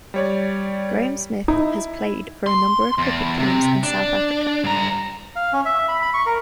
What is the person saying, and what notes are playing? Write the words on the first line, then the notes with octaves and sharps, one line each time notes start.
Graeme Smith has played for a number of cricket teams in South Africa.
G3 C#5 D5
D#4 E4
C6
E2
C3
D4
G2 A#5
F5
C#4
E5
B5
B5
C#6
A#4